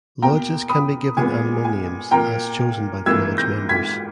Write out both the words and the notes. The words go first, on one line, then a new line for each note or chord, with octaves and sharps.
Lodges can be given animal names as chosen by the Lodge members.
E2 B2 A#3 G5 A#5
B5 D#6
A#2 G#3 B3 G#5
G#5
A#2 A#3 G5 A#5
G#2 E3 A#3 E6 G#6
G6 A#6
G#6 B6